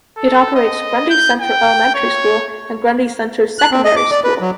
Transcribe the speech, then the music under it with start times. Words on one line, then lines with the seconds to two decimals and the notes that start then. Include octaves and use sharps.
It operates Grundy Center Elementary School and Grundy Center Secondary School.
0.17 A4
0.55 D#5
1.10 G6
1.41 G5
1.95 C#5
3.59 F#6
3.72 C4
3.84 D#5
3.96 D6
4.11 D5
4.24 B4
4.41 F#3